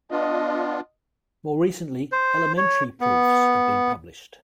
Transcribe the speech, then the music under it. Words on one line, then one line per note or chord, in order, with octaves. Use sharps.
More recently, elementary proofs have been published.
B3 D4 F4 D#5
C5
C#5
B3